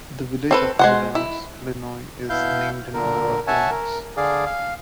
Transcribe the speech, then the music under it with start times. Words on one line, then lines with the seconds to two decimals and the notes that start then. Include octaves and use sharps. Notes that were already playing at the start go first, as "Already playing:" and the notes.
The village of New Lenox, Illinois is named in honor of Lenox.
0.51 C4 A4 B4
0.79 G#3 C5 F#5
1.15 E4
2.30 B2 E4 F5 G6
2.94 A#2 D3 A#4
3.47 C#5 E5 F#5 G#5 A5
3.70 A#4
4.17 D3 G#4 D5 F5
4.46 F5